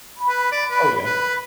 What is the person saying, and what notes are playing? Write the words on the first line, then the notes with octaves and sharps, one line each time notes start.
Oh, yeah.
B5
B4
D5
B4
B4